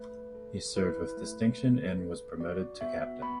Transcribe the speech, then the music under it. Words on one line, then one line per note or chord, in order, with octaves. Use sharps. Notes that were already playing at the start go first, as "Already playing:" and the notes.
He served with distinction and was promoted to Captain.
Already playing: A3 B4
A4
E4 B4
A3
A3
A4
F#4 D5
B3 E5
B3 B5